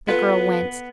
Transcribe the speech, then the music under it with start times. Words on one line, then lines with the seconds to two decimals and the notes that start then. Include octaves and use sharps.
The girl winced.
0.09 B3 F4 A4 B4